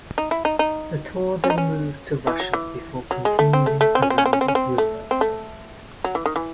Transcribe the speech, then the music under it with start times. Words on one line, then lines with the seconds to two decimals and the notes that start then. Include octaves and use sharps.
The tour then moved to Russia, before continuing around Europe.
0.18 D#4
0.31 E4
0.45 D#4
0.59 D#4
1.44 C#4
1.50 D#4
1.58 C#4
2.27 E3
2.40 F#3
2.53 E3
3.11 F#3
3.25 G#3
3.39 A3
3.53 C4
3.66 A3
3.81 A3
3.95 C4
4.02 C#4
4.10 C4
4.18 C#4
4.26 C4
4.33 C#4
4.41 C4
4.48 C#4
4.55 C4
4.78 A3
5.11 C4
5.21 A3
6.04 F#3
6.15 E3
6.26 D#3
6.36 E3